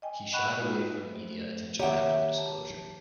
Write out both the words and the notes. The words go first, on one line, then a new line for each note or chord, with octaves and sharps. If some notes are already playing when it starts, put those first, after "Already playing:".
He shied away from media attention after the disclosure.
D#5 G5 G#5
D#5 F#5 G5 B5 C#6 F#6
G#3 A#3 D#4 F4 F#4 B4
A3 C5
D#3 A#3 G4 C#5 E5 F#5 G5 A#5
A5